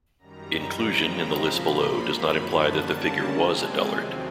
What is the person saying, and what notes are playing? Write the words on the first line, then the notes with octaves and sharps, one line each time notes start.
Inclusion in the list below does not imply that the figure "was" a dullard.
F#2 D#3 G3 A#5
B5
C#3 F3 G#3 C4 A#5
B5
A#2 F3 A#3
C6
F#2 D#3 F#3 B5
A5
D3 G3 A#3 C#4
C3 F3 G#3 C4 G#5
D#2 D#3 F#3 A3 C4